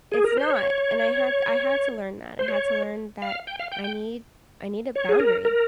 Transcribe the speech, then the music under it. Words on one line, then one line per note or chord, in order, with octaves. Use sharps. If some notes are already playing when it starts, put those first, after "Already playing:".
It's not, and I had I had to learn that. I had to learn that I need I need a boundary.
G#4
A#4
C5
C#5
C5
C#5
F5
G5
F5
G5
G5
C#5
G#4
A#4
A#4